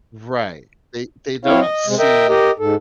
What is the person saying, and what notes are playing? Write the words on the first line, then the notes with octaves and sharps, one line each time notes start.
Right, they they don't see
C4 E4 C#5 F5
D#5
C3 G#3
A#4 D#5 E5 G5
G4 A#4 D#5
G#2 A4